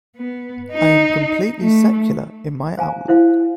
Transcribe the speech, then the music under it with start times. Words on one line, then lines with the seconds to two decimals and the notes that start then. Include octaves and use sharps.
I am completely secular in my outlook.
0.17 B3
0.72 D#4
1.61 A3
2.77 C5 F5 G#5 A#5
3.08 E4 C5 F5